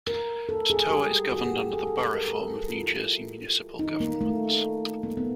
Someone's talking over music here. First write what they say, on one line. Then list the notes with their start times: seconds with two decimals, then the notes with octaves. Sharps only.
Totowa is governed under the borough form of New Jersey municipal government.
0.07 A#4
0.49 A4
0.70 G#4
0.90 G4
1.32 F#4
1.46 G4
1.59 G#4
1.73 A4
1.87 A4
2.01 A4
2.14 A#4
2.28 A4
2.42 G4
2.56 F#4
2.69 F4
2.83 E4
3.79 D#4
4.00 A#3
4.21 A3
5.03 A#3
5.17 B3